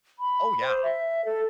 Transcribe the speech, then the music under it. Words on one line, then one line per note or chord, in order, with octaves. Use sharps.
Oh, yeah.
B5
C5
E5
A4